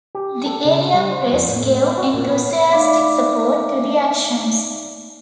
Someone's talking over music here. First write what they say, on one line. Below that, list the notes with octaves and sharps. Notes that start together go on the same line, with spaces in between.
The area press gave enthusiastic support to the actions.
G4
A4
C#3
G3
C5
F2
A2
D5
F#4
A#2
B3
A3 D#4 D5 E5 F5 D6